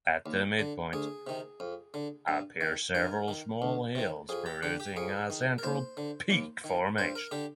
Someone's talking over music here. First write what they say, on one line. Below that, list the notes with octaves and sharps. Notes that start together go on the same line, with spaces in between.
At the midpoint appear several small hills producing a central peak formation.
D#2
D3
D2 G#4
C3 D#3
F2
D3
G2
D#3
G2 A#4
D#3
D2
C3 D#3
F2 G#4
G4
D3 G4
G4
F2 G#4
D#3
A#4
D#2 C5
D3
D#2
D#3
G2 C5
A#4
D3 G4